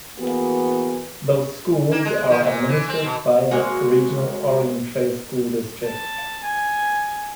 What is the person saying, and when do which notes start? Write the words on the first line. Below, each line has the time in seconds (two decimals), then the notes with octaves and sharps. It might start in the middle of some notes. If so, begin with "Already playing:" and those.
Those schools are administered by the regional Oregon Trail School District.
0.19 E3 A#3 B3 F#4 G#4
1.91 A#3
2.05 G#3
2.30 F3
2.43 A#2
2.69 E3
2.88 C4
3.04 B2
3.51 G#3 A#3 F#4
5.84 A5
6.44 G#5